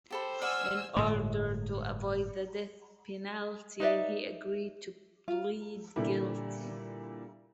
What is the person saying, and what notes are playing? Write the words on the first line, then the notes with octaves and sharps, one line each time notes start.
In order to avoid the death penalty, he agreed to plead guilty.
G4 A4 C5 B5
D5 F#5 G#5 C#6 E6 F6
G1 A2 G#3
D#4 B4 D5 E5
F4
A#2 D3 E3 G3 E4